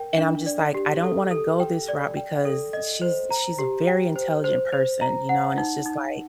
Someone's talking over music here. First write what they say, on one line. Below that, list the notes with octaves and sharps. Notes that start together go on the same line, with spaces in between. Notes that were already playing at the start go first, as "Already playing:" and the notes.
And I'm just like, "I don't wanna go this route because she's she's a very intelligent person." You know? And it's just like
Already playing: A#4 G5
D4
D5
G4
A4
A4
G5
D5
G5
A4
D#5
C5
A#5
G4
G5
C5
C5
C5
A#5
F#5
D#4
D#4